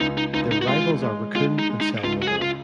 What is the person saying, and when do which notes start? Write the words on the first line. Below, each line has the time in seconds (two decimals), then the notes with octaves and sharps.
Their rivals are Raccoon and Selmaville.
0.01 C#2 D#4
0.17 D#4
0.34 C#2 D#4
0.51 D#4
0.62 F#4
0.68 G#3 F4
1.02 G#3
1.36 G#3 F4
1.59 D#4
1.69 G#3
1.81 D#4
2.03 C#2 F4
2.22 F#4
2.27 G#4
2.38 C#3 F4